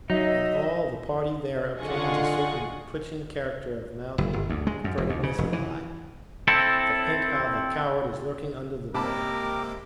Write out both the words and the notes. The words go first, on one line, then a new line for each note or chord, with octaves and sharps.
In all the party there obtains a certain twitching character of mouth and furtiveness of eye, that hint how the coward is lurking under the bully.
F#3 D#4 D#5 E5
D3 F4 G#4 D#5 F#5 C#6
F#1
G1
D2
G#3
F#2
F1
D#2
C#3
F1
E3
C4 E4 A4
C3 G#3 A#3 G4 A#4 A5 B5 D6